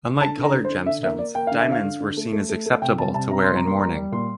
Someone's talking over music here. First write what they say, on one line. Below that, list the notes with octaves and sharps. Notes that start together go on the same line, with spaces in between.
Unlike coloured gemstones, diamonds were seen as acceptable to wear in mourning.
D3 A5
D3
A#5
D3
C5
D3
D3 E5
A#3 E5
A#3 D5
A#3 G5
D3 F5
E5
D3 F5
D3
D3
A3
A3
A3
A3
C3 G5
G3 A5
C3 A5
C3 A#5
G3 C6
A#5
A#3 C6
G3 A#5
G3
A#2 C6